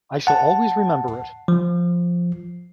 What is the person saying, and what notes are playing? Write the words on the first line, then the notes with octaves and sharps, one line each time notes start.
I shall always remember it.
F#5 A5
F3